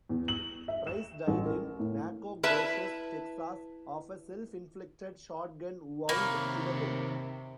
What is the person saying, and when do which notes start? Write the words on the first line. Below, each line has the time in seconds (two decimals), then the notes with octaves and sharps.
Price died in Nacogdoches, Texas, of a self-inflicted shotgun wound to the head.
0.09 E2
0.28 F#7
0.68 E5
0.87 E7
1.28 A1
1.46 A#4
1.79 A2
2.43 E4 B4 E5 A5
6.09 C3 D#3 A#3 C#5 B5